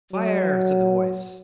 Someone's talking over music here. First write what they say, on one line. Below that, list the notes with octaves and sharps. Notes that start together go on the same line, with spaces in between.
"Fire!" said the voice.
F#3